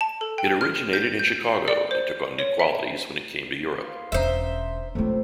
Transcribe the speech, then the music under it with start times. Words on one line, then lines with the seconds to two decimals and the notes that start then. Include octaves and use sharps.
It originated in Chicago and took on new qualities when it came to Europe.
0.01 A5
0.21 A4
0.38 G5
0.61 F6
0.93 G6
1.19 G6
1.68 D5
1.91 C5
2.39 C#5
2.60 E5
3.82 B4 F5 C6
4.12 E1 C#4 D4 C5 D#5 E5 A#5
4.95 A2 C3 G#3 A3 F4